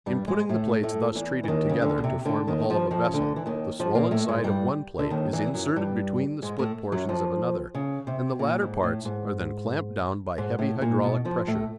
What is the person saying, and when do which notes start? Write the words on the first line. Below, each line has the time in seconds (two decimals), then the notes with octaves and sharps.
In putting the plates thus treated together to form the hull of a vessel the swollen side of one plate is inserted between the split portions of another and the latter parts are then clamped down by heavy hydraulic pressure.
0.06 G2 G3
0.27 G#2 G#3
0.49 A2 A3
0.83 A2 A3
1.15 E2 E3
1.44 E3
1.48 D#2 D#3
1.69 C#3
1.81 D2 D3
1.98 B2
2.04 C3
2.25 D2 D3
2.47 D#2 D#3
2.70 F2 F3
2.91 F2 F3
3.06 C#3
3.14 D2 D3
3.36 E3
3.46 D#2 D#3
3.79 F2 F3
3.95 A#2 A#3
4.11 A2 A3
4.28 G#2 G#3
4.44 G2 G3
4.99 D3
5.11 D#2 D#3
5.33 E2 E3
5.54 F#2 F#3
5.76 G2 G3
6.42 G#2 G#3
6.59 A2 A3
6.92 F#2 F#3
7.09 F2 F3
7.75 C#3
8.07 C3
8.39 A#2
8.62 G#2
8.83 A2
9.05 G#2
10.38 G#2
10.59 A2
10.81 A#2
11.04 B2
11.25 F2 F3
11.47 A2 A3